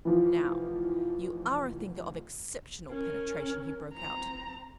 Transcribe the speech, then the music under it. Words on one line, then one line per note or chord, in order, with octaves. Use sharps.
'Now, you are a thinker of exceptional penetration,' he broke out.
F1 E3 F3
C#4 A#4
C4 A#5